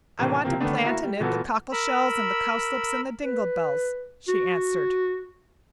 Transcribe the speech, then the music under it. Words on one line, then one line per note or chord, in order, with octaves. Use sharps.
"I want to plant in it the cockle-shells and the cowslips and the dingle-bells," she answered.
A2 C3 E3 A#3 D4
C3 F3 A#3 C4
D3 D#3 A3 B3 D4
A#3 E4 F#4
G3
A#2 E3 B3 F#4 A4
A#4 B5 E6
B4
F#4